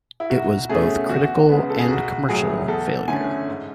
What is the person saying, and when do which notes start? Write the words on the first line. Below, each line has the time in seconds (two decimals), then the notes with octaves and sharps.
It was both critical and commercial failure.
0.20 E4
0.30 B1 F#4
0.69 B2 A3 C#4 G#4
1.09 E2 F#4
1.49 C#3 G#3 B3
1.69 A4
1.79 G#4
1.88 B1 F#4
2.29 A2 F#3 A3 G#4
2.68 E2 A4
3.08 D3 A3 C#4 G#5
3.48 G#2